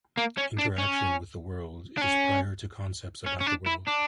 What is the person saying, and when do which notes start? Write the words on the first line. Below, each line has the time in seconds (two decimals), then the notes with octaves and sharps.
Interaction with the world is prior to concepts about the world.
0.17 A#3
0.37 C#4
0.58 D4
0.78 C#4
1.97 D4
2.02 C#4
3.26 C#4
3.41 C#4
3.47 D4
3.67 E4
3.88 D4